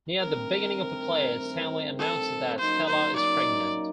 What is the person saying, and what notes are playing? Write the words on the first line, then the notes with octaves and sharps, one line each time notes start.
Near the beginning of the play, Stanley announces that Stella is pregnant.
G2 D#3 A3 C4 A#4
A4
F#2 F#3 A#3 D#4 C5
C5
D5